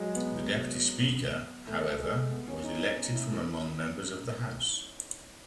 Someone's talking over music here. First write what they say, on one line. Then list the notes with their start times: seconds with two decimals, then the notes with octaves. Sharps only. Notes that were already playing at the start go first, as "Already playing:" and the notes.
The Deputy Speaker, however, was elected from among members of the House.
Already playing: F#3 G#3
0.16 B3
1.67 A3
1.99 G#3
2.32 B3
2.48 C#4
2.64 D#4
2.80 D#4
2.96 D#4
3.12 E4
3.28 E4